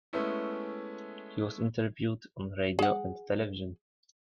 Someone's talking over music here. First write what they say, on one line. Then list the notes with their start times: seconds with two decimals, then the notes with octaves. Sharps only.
He was interviewed on radio and television.
0.13 G#3 A3 B3 C#4 E4
2.79 G#4 F#5